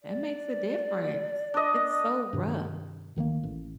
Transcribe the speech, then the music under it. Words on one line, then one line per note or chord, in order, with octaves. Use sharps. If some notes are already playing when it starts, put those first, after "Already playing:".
That makes a difference. It's so rough.
D5
D4 D#5
G2 C3 D#3
D2 D#3 F#3 A#3
A1